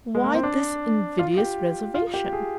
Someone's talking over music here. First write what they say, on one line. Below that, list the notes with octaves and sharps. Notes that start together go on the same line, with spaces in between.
Why this invidious reservation?
G#3
A#3
C4
D4
F4
G4
F4
G4
G#4